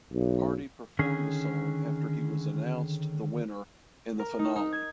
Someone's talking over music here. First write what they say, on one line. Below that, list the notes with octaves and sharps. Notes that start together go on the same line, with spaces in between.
Hardy performed the song after he was announced the winner in the finale.
B1
D3 D#3 C#4 G#4
A#4
D#4
D#4
G#6